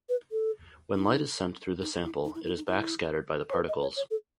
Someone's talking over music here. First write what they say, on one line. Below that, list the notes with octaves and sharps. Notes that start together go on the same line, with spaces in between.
When light is sent through the sample, it is back scattered by the particles.
B4
A4
D#4
D#4
E4
D#4
E4
E4
D#4
E4
C#5
B4
D#5
C#5
C#5
A4